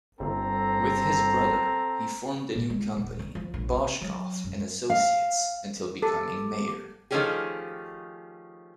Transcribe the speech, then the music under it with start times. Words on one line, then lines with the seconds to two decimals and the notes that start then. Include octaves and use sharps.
With his brother he formed a new company "Boshcoff and Associates" until becoming Mayor.
0.20 G1 C4 A4 A#5
2.55 A#2
2.70 G#3
2.97 D#1
3.19 D2
3.35 F3
3.54 A#1
3.72 D#4
4.01 F#3
4.44 F#2
4.90 F5
6.02 G4 A4
7.11 D#3 F3 A3 C#4 G4 G#4